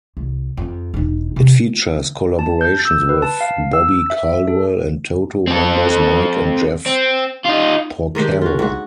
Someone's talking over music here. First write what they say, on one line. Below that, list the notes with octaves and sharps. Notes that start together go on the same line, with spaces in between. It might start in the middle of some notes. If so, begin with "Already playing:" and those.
It features collaborations with Bobby Caldwell and Toto members Mike and Jeff Porcaro.
C2
F2
E1 D#4
C3
A5
G6
E6
B4
A5
F5
E6
E5
A4
C4 A4
C4
D#4 F4
G#2 D#3 D4 G4
F4 F#4
G#2 F#4